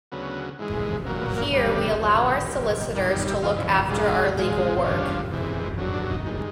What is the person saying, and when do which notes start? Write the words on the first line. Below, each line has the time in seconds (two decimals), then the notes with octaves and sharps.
Here we allow our solicitors to look after our legal work.
0.12 D2 C#3 F#3 B3
0.59 G#2 E3 G#3
1.06 F#3 A#3
1.09 A#2
1.21 B3
1.37 A#3
1.53 G2 D3 G3 B3
2.01 F2 C#3 F#3
2.48 A#2 G3
2.95 G2 D#3 G3 A#3
3.07 A#3
3.19 B3
3.30 E4
3.42 E2 C#3 F3 F4
3.58 E4
3.74 D#4
3.89 G#2 F3 G#3 D4
4.37 G#2 F3 G#3
4.76 C4
4.84 G2 D3 F3 C#4
5.31 E2 C3 E3 G#3
5.78 F#2 D3 F#3 C#4
5.94 D4
6.10 D#4
6.25 G2 D#3 G#3